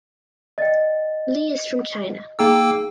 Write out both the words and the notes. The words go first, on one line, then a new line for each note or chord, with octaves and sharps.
Li is from China.
D5 D#5 G5 A6
A#3 D#4 G#4 G5 A#5 E6